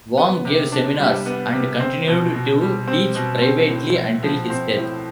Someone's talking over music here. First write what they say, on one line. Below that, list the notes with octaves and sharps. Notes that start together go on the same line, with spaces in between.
Wong gave seminars and continued to teach privately until his death.
B3
C3
D4
G3
B3
C3
C4
B2
B2
G3
C4
B2
C4
A2
E4
F3
C4
A2